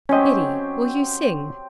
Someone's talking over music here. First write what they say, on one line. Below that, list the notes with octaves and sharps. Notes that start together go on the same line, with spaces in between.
'Biddy, will you sing.
F#3 C4 C#4 G4 D#5